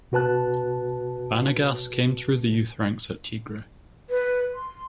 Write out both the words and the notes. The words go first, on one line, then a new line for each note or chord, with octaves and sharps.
Banegas came through the youth ranks at Tigre.
B2 F#4 B4 A5 F#6
B4
C6